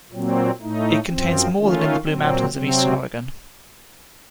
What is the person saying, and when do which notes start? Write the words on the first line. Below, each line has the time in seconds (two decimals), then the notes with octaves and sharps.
It contains more than in the Blue Mountains of eastern Oregon.
0.12 A#2 F#3 C4
0.61 A2 A3 D#4
1.09 F#2 F3 C4
1.58 D#3 A3 C#4 F4
2.07 A#2 F#3 C4
2.55 C3 F#3 C4